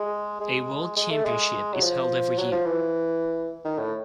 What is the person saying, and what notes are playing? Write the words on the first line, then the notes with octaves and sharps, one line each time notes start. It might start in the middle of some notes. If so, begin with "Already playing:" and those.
A World Championship is held every year.
Already playing: G#3
G#3
G#3
A3
G#3
F#3
F3
F#3
F3
E3
D#3
A2